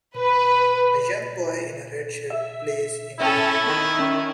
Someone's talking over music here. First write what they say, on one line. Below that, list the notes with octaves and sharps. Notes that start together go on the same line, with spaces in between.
A young boy in a red shirt plays in a tree.
B4
E5
C#4 E4 A4 E5 G5 A5
D#3
C#4